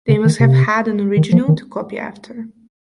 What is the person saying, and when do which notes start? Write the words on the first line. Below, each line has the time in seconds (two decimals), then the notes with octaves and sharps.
They must have had an original to copy after.
0.09 C#3
0.25 D#3
0.40 C3
1.17 D#3
1.32 F3
1.48 D#3